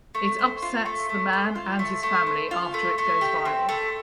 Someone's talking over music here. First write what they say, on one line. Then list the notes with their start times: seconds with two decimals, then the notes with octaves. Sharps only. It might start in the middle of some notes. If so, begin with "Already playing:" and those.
It upsets the man and his family after it goes viral.
0.15 A3
0.39 C5
0.62 F4
0.86 A3
1.09 A3
1.33 C5
1.56 F4
1.79 A3
2.03 A3
2.27 C5
2.51 F4
2.74 A3
2.98 A3
3.21 G4
3.45 C4
3.69 A3